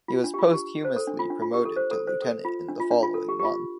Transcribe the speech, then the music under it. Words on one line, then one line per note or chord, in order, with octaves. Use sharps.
He was posthumously promoted to Lieutenant in the following month.
F4
D4
G4
F4
G4
C5
A4
D4
F4
D4
F4
G4
A4
C5
A4
C5
A4
F4
D4
F4
D4
F4
A4
G4
G4
F4